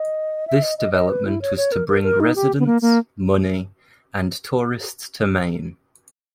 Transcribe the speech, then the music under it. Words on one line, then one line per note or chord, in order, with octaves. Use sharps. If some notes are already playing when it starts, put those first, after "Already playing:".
This development was to bring residents, money, and tourists to Maine.
Already playing: D#5
E5
D#5
D#5
D#5
B4
E4
C#5
C#5
A#4
A#4
A#4
D#4
G4
B3
A#3
A#3